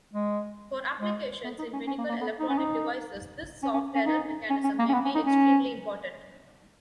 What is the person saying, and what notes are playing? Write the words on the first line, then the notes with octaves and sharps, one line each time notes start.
For applications in medical electronic devices this soft error mechanism may be extremely important.
G#3
G#3
B3
D#4
C#4
C#4
A#3
A#3
B3
D#4
C#4
D#4
C#4
C#4
C#4
D#4
C#4
C#4
A#3
C#4
B3
C#4
D#4
C#4